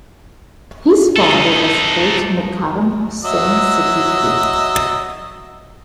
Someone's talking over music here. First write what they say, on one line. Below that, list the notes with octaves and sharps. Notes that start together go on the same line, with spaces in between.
His father was Late Mukarram Hussain Siddiqui.
D#4 A4
F#3 D#5 E5